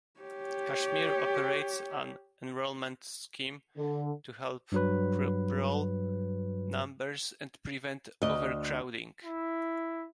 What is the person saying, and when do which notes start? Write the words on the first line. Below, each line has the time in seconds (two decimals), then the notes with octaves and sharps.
Cashmere operates an enrolment scheme to help curb roll numbers and prevent overcrowding.
0.21 G4 C#5
3.77 D3
4.72 G2 F#3 B4
8.22 D2 D#5
9.24 E4